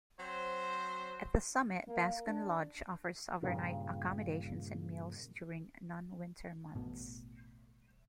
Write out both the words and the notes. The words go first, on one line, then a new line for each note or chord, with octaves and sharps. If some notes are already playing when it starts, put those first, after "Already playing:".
At the summit, Bascom Lodge offers overnight accommodations and meals during non-winter months.
F#3 C4 C5
A#3
D4
G2 A#2 C#3
A1 B2